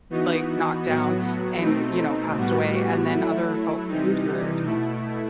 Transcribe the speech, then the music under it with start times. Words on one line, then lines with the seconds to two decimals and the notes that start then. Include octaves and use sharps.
like, knocked down, and, you know, passed away, and then other folks injured,
0.10 E3 B3 D#4 F#4
0.86 A2 F#3 B3 F#4
1.61 B2 A3 C4 D#4
2.37 A2 G3 B3 F#4
3.13 F#3 A3 E4
3.88 C3 E3 G3 D#4
4.64 B2 A3 E4